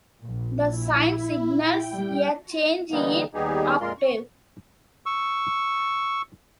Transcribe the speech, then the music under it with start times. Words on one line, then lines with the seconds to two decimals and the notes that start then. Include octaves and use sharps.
The sign signals a change in octave.
0.23 A#1 A#2
0.62 E4
1.54 G5
1.95 G3
2.91 D3 E3 G3 A#3 B3 D#4
3.34 D#2 G3 B3 D#4 G4 G#4
3.80 F2 A#2 G#3 F4 A#4 C6
3.98 C#6
5.06 C#6 E6